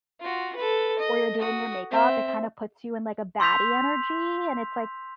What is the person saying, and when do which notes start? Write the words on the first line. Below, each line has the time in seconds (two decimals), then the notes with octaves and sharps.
or you're doing your makeup, it kinda puts you in like a baddie energy. And it's, like
0.20 F4 F#4
0.56 A4 B4
0.99 D#5
1.38 F#4 D#6
1.91 C4 E5
3.40 C6 E6 G6 B6 F7